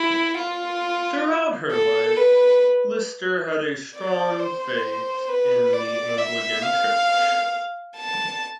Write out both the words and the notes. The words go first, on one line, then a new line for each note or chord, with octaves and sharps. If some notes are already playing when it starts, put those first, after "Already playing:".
Throughout her life, Lister had a strong faith in the Anglican Church.
Already playing: E4
F4
A4
B4
D5
C5
B4
D5
E5
F5
A5